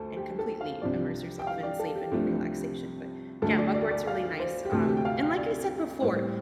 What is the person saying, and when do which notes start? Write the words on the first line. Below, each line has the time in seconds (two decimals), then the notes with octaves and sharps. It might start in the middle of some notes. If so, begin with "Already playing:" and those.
and completely immerse yourself in sleep and relaxation but, yeah, mugwort's really nice, um. And like I said before
Already playing: D2 A3 A4 C5
0.17 G4
0.39 A4
0.61 F5
0.82 C2 C3 F3 D4 D5
1.39 G5
1.47 F5
1.63 D5
1.79 A4
1.96 G4
2.12 C2 C3 F3 A3 D4
3.42 D2 D3 A3 A4
3.58 D5
3.74 D5
3.91 D5
4.07 F5
4.40 C5
4.65 G4
4.72 D2 C3 A3 A4
4.88 G4
4.97 G5
5.05 F5
5.21 F5
5.37 D5
6.02 A2 G3 C4 C5